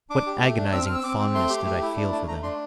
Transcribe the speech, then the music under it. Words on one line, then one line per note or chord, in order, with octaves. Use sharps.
What agonizing fondness did I feel for them!
D4 D6
G4
A3
D4
C4 E6
C4 F6
E6
C4 D6
C4
A3 C6
G4
A3
E4
D4
A3 A5
A3 A#5
D4 C6